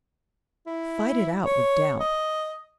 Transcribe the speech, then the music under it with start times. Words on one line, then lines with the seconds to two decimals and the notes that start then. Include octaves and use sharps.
Fight it out with doubt.
0.66 E4
1.45 C#5
2.00 D#5